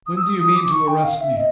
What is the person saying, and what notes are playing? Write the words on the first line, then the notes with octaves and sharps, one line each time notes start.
"When do you mean to arrest me?"
D#6
E6
D#6
D#6
D6
C#6
G5
F5
E5
D#5